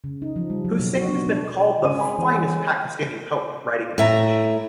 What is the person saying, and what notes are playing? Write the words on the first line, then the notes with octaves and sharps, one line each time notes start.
Husain has been called the finest Pakistani poet writing in English.
C#3
D#4
F3
G3
F#3
B2
F#4
B3
D4
C#3 G#3 D#7
C#5 G#5 B5
E3 C4
A2 E5 A#5